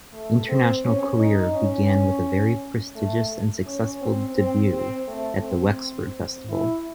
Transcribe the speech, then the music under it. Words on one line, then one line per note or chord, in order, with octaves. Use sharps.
International career began with a very prestigious and successful debut at the Wexford Festival.
A3
C4
C#4
D#4
C#4
A3
C#4
C4
C4
C4
A3
C4
E4